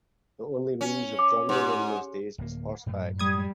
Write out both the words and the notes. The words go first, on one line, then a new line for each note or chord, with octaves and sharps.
The only means of journeying in those days was horseback.
C#4
D6
G#2 G4
D1 A#3
F#2 A2 F#3
G3 D#6 G#6